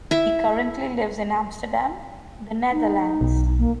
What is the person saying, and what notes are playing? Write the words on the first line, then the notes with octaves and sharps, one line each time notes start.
He currently lives in Amsterdam, the Netherlands.
E4 E5
D#4
B1
A#3